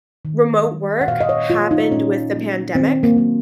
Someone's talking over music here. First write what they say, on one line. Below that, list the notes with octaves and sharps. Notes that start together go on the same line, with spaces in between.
remote work happened with the pandemic.
D#3
G#3
F#5
A#2 F5
D#5
C#5
F#3 A#3 F4
D#4
A#2 C#4
F#3 A#3
D#3 C4
A#3
F#3 A#3